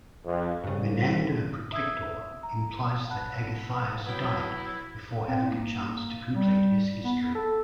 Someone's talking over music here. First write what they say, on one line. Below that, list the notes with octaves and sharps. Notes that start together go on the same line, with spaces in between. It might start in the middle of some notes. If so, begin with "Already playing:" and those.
Menander Protector implies that Agathias died before having a chance to complete his history.
F2
C2 G2 C#3
E5 D#6 E6 G#6
A#5
F#5 A5 B5 F#6
F#3 B3 E4 G5
C4
A#3
G3
B3
A4